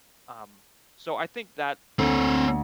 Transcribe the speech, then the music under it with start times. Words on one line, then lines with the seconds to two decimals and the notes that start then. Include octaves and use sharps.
Um, so, I think that
1.99 D2 C4 C#5